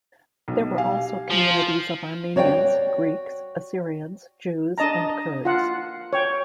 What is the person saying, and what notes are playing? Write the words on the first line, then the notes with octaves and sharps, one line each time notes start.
There were also communities of Armenians, Greeks, Assyrians, Jews and Kurds.
B1
G4 F5 G#5
F3
F#4 C#5 D5 F5 G5
D4 D#5 A5 A#5
F4 F#5
C#5 G5